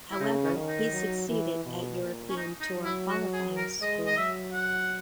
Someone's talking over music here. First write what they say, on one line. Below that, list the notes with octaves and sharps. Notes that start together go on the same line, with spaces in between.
However he succeeded at European Tour Qualifying School.
E4
C#3 D#4
C#4
D#3
D#4
F#3
E3
B2
A#2
C#4
D#4
D#4
F#3
E4
F#4
G#4
A#4
G#3 D#5
D#5
F#3 E5
F#5